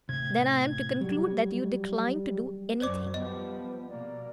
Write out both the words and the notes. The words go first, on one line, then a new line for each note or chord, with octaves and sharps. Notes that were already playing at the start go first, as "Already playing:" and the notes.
"Then I am to conclude that you decline to do anything?"
A2 C3 G#6
F#3 G3
F#2 F#3 C5 D5 D6
F3 G3 B3 D#5
B2 A#3 D5